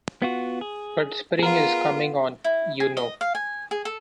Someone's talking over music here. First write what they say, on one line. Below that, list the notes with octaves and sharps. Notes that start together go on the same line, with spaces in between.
But spring is coming on, you know.
B3 F4 F#4
G#4
B3 F4 G#4 A#4
E4
G#4
D#5
F5
G#5
G#4
A4